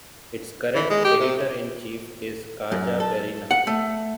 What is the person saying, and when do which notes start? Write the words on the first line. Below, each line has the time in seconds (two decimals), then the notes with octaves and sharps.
Its current editor-in-chief is Kaja Perina.
0.75 E3
0.90 G#3
1.05 G4
1.20 C3
2.72 F#2
3.00 A4
3.51 F#5
3.67 A3